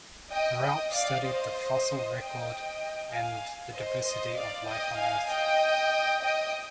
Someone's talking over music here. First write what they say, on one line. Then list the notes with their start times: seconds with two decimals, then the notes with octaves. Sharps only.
Raup studied the fossil record and the diversity of life on Earth.
0.31 D#5 G5
0.62 D#5 G5
0.93 D5 F5
1.24 C5 D#5
2.18 D#5 G5
3.11 F5 G#5
3.74 C5 D#5
4.05 C5 D#5
4.36 D5 F5
4.67 D#5 G5
4.98 F5 G#5
5.29 D#5 G5
6.23 D#5 G5